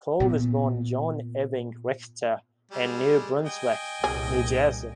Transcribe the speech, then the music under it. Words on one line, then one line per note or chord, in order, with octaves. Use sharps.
Cole was born John Ewing Richter in New Brunswick, New Jersey.
A#2 B3
G3 G#3
D#5 G5 G#5
C2 A#2 G#4